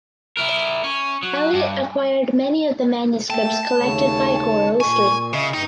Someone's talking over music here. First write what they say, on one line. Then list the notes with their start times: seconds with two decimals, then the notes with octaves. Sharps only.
Elliott acquired many of the manuscripts collected by Gore Ouseley.
0.37 E4 A#4
0.84 C#4
1.23 F#3
1.53 G2
3.30 A3 A#3 A4 G5 A5
3.78 D#2 C#3 A3 C#5
4.81 A#2 G#5 C#6
5.33 C#3 D#5 E5
5.54 G2 D#4 G5